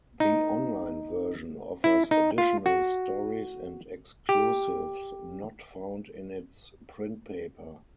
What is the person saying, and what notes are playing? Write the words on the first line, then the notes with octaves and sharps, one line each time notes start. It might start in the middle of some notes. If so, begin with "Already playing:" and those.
The online version offers additional stories and exclusives not found in its print paper.
D#4
E4
D#4
F4
F#4
G4